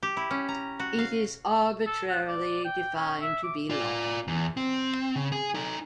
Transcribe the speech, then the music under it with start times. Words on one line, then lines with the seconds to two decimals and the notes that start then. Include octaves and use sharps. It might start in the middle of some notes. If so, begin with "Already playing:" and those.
It is arbitrarily defined to be long.
0.03 G4
0.17 E4
0.31 C#4
0.48 A#5
0.80 F#4
0.99 F5
1.87 A4
2.10 F#5
2.28 D5
2.65 G5
2.96 C#4
3.21 E5
3.44 D6
3.70 F4 D5
4.28 E2
4.57 C4
5.16 C#3
5.32 G#4 G#5
5.54 D#4 A4